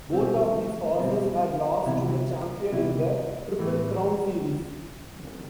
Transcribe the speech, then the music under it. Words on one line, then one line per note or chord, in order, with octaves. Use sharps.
Both of these horses had lost to the Champion in the Triple Crown series.
B2 G3 C4
B2 G3 C4
C2 C3 E3 B3 E4
C2 C3 E3 B3 E4
A2 E3 A3